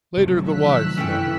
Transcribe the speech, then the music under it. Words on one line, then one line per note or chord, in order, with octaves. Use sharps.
Later the wives met.
C3 F#3 A3
D#3 F3 E6 F#6 B6
F#2 E3 C#4 A4 G5